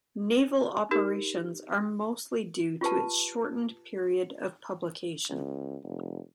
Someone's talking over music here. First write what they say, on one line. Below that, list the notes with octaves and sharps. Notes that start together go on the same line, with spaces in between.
Naval Operations are mostly due to its shortened period of publication.
D#4 G4 A#4
F4 G4 B4 A5
C#2
F1